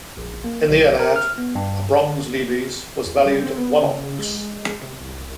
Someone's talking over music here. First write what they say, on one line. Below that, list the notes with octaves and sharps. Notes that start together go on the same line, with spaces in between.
In the Iliad, a bronze lebes was valued at one ox.
A#1
A#3
B1
A#4
F6
B3
G2
E2
G3
C4
B3
C#3
G#3
C3
C2